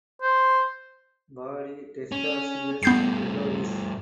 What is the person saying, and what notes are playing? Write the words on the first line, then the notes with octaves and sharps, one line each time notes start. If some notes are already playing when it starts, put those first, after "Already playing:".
Body testaceous yellowish.
C5
C#4
G2 A3 B3 G6 C7